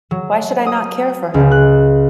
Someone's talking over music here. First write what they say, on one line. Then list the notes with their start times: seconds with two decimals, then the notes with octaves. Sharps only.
Why should I not care for her?
0.11 F#3
0.66 D#6
1.34 C#2
1.51 F#6